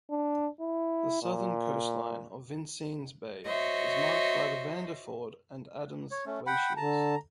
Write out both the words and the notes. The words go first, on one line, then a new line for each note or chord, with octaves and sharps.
The southern coastline of Vincennes Bay is marked by the Vanderford and Adams Glaciers.
D4
E4
A#2
F#4 C5 C#5 D#5 E5
C#5
A3 C#4
F#5 G5 B5
D3 A5 A#5